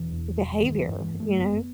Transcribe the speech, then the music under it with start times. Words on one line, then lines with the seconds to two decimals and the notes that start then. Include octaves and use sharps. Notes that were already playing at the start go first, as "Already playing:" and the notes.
behavior, you know?
Already playing: E1 E3
0.12 E2
0.37 E1
0.63 G2 D#3
0.82 E3
0.88 G2
1.01 E3
1.13 G2
1.20 A3
1.39 F#1 B3